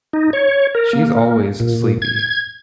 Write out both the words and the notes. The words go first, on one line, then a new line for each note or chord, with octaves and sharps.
She's always sleepy!
D#4
C#5
A#4
A#3
A#2
G#6